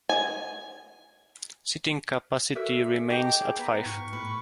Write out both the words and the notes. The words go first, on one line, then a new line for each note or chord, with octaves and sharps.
Seating capacity remains at five.
G#5
F#4 A4 A#4 E5
D#4 G4 D6
G#4
B3 B4 A#5
G#2 C#6 F6
A2 B4